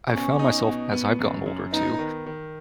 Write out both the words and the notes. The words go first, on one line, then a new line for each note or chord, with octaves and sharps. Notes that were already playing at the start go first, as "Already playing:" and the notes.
I've found myself, as I've gotten older too,
B2 C#4
D#4
B2
B3
F#2
F#2
B3 D#4
D#3
D#3